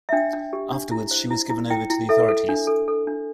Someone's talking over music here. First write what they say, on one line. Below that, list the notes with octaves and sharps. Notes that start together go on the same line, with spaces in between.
Afterwards she was given over to the authorities.
E5
D4 G5
D4
G4
D4
E4
C5
E4
E4
E4 G5
E4
A4 E5
A4
D4
A4
A4
D4